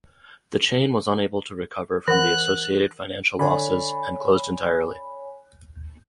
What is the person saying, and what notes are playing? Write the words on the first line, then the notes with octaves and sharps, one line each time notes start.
The chain was unable to recover from the associated financial losses and closed entirely.
E3 A#4 F#5 F#6
D3 C#5 G#5 B5